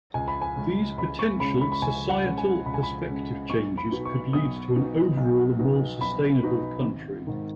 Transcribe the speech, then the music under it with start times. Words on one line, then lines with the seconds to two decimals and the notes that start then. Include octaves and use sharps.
These potential societal perspective changes could lead to an overall more sustainable country.
0.14 C#2 G#5
0.28 B5
0.42 G#5
0.56 C#3 G#3 C#4
0.98 C#2 B5
1.19 C#6
1.40 C#3 G#3 C#4 B5
1.61 B5
1.72 B5
1.82 C#2 G#5
2.09 F#5
2.24 C#3 G#3 C#4
2.38 G#5
2.66 C#2 B5
2.74 G#5
2.83 B5
3.08 C#3 G#3 C#4
3.50 B1 C#6
3.77 B5
3.91 B2 B3 D#4
4.05 C#6
4.33 B1 D#6
4.75 B2 B3 D#4
5.17 B1
5.59 B2 B3 D#4
6.01 B1 B5
6.43 B2 B3 D#4
6.85 G#1
7.27 G#2 D#3